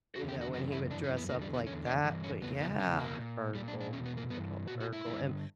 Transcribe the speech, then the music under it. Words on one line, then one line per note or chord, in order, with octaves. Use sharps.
You know, when he would dress up like that, but yeah, Urkel. Good ol' Urkel. And
E2 D3 F#4
G4
F#4
F#2 C#3 E3 F#4
E4
F#2 E3 D4
C#4
B3
E2 D3 A#3
G3
B3
E2 D3 C#4
D4
G2 E3
C#4
E2 C#3 B3
B3
E2 C#3 C#4
A#3
A#2
A#2 G3
D4
D4
E2 B2 C#4
B3
A#3
G2 E3 B3
A#2 F#4
F#4
E4
G2 D3